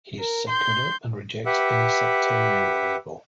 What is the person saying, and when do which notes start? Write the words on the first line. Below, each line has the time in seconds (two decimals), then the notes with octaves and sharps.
He is secular and rejects any sectarian label.
0.18 A#4
0.49 C6 G6
1.46 G4 B4 E5 F#5